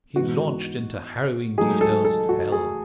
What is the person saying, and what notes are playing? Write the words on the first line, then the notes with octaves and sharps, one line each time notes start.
He launched into harrowing details of hell.
G#2 E3 B3 F#4
G#2 F#3 A3 G#4
A4
A4
F#4
G#4